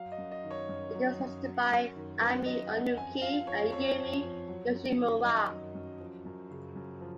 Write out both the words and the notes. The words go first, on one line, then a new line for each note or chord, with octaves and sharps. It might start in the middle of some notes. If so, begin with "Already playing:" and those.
It was hosted by Ami Onuki and Yumi Yoshimura.
Already playing: F#3 F5
D#5
F#2
D#5
D#3
C#5
F#2
F#3
F#2
F#3
F#2
D#3
F#2 B4
F#3 D#5
F#2 F#5
F2 G#5
F3 F5
F3 C#5
F2 C#5
F2
F3
F#3
F#2
D#3
F#2 D#5
F#3
F#2
F3
F#2
C#3
F#2
F3